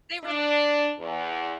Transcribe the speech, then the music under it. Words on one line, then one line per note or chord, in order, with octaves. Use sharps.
They were l
D4
E2